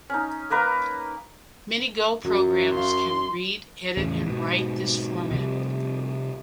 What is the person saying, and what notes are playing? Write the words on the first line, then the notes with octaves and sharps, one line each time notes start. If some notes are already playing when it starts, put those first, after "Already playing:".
Many Go programs can read, edit, and write this format.
C#4 D#4
A#3 A#4 B4 A#5
F#2 F#3
C#4 F5 C6
E2 A2 C#3
G#2 B2
C3 F3 G3